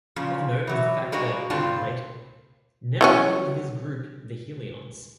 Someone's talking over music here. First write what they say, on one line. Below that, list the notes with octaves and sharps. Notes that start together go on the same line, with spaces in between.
Of note is the fact that Emplate never called his group the "Hellions".
A#2 C#3 F3
E3 F#3
G3 G#3 A#3 D4 F#4
G2 D3 C4 F4 A5
E3 F#3 C#4